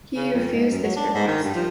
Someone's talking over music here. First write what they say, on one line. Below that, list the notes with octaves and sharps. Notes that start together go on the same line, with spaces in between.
He refused this request.
C#3
F2
G#2
F#2
F#3
D4
G#2
D#3
G2
F3